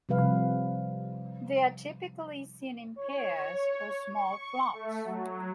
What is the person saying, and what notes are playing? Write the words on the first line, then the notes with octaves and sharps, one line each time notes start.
They are typically seen in pairs or small flocks.
C3 F3 G3 B4 F5
C#5
C#6
A3
F#3